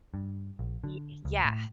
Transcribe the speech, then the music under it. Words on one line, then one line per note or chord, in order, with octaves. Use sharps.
Ye yeah.
G2
A#1
D3
C#2
A2